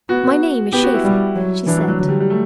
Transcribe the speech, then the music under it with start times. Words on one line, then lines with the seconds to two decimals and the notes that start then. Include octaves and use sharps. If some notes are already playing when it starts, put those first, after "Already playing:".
"My name is Shaeffer," she said.
0.09 B3 F#4
0.72 B3 G4
0.83 F#4
0.94 E4
1.04 G3
1.36 F#3
1.67 E3 D4
1.77 F#3
1.88 F#3
1.99 D3 F#3
2.09 G3
2.20 G3
2.30 A3